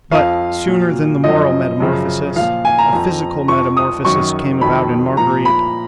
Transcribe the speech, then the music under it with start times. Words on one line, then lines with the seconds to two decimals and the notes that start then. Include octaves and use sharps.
But, sooner than the moral metamorphosis, a physical metamorphosis came about in Marguerite.
0.11 F2 F3 F5
0.67 A#2 F#3
1.24 F#2 F3 D#5
1.80 F#2 C#3 F3
2.36 A#2 F3 F5
2.65 G#5
2.78 A#5
2.93 F2 F3
3.48 F2 F3 C#6
3.77 D#6
4.05 F#2 D#3 F#3 C#6
4.61 F2 D#3 F#3 B5
5.17 A#2 F3 A#5
5.45 B5